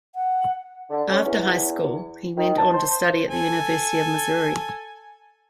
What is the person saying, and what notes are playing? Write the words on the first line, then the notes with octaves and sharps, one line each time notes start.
After high school, he went on to study at the University of Missouri.
F#5
D3
C#4
E2
D#3
A5
C5
A4 G#5